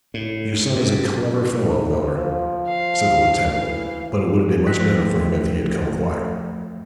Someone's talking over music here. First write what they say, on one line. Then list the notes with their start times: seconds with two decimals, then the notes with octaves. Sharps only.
'Your son is a clever fellow, miller,' said the lieutenant; 'but it would have been much better for him if he had come quiet.'
0.14 A2
0.76 F#2
2.15 F3
2.68 F5
3.55 E3
4.66 F3 A3 G5 F#6 A#6 B6